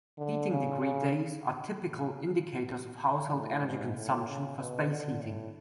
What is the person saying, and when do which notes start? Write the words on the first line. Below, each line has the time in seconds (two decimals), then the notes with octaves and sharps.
Heating degree days are typical indicators of household energy consumption for space heating.
0.18 D3
0.50 C#3
0.82 C#3
3.33 A2
3.64 G#2
3.96 A2
4.27 C#3
4.58 B2
4.90 D3
5.21 A2